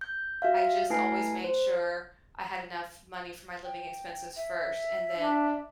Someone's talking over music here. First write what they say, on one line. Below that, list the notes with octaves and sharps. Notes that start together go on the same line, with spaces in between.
I just always made sure I had enough money for my living expenses first and then
G6
F#4 E5 F5
A3 E4 B4 G#5 A5 C7
C5
G5
E5
D4